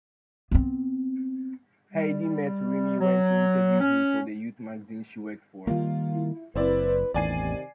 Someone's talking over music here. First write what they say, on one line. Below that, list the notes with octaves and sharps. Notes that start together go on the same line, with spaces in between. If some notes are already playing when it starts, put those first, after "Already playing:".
Heidi met Remee when she interviewed him for the youth magazine she worked for.
B3 C4
G3
F#3
C#4
D#3 G3 A#3 F4
E4
F#1 C4 E4 B4 D5
A1 E2 C3 D#3 D5 G#5 C7